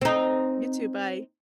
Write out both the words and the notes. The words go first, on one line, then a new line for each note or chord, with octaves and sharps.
You too, bye.
C4 D#4